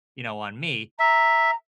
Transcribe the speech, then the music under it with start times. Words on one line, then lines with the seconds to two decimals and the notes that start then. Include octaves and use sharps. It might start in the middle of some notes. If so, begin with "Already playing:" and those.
you know, on me.
0.99 E5 A#5